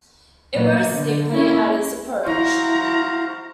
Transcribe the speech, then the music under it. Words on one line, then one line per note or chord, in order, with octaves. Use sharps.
It rose steeply at his approach.
A#2 F#3 A#3 B3
D3
A#3 C#4 E4
E4 F#4 C5 F5 A#5